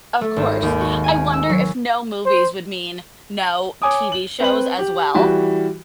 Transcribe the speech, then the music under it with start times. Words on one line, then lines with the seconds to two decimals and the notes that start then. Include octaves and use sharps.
Of course. I wonder if no movies would mean no TV shows as well.
0.21 A3
0.36 G#1
0.62 D#2
0.81 F#4
1.04 G#5
1.33 E6
1.49 F#3
2.26 C5
3.82 C#5 G#5 D6 D#6
4.12 F#7
4.40 C4 B4 F#7
4.79 G4
5.15 E3 G3 F#4